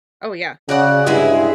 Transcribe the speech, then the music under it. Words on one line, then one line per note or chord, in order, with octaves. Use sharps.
Oh yeah.
C#3 F#4 D5 F#5
G2 G#3 E4 G#4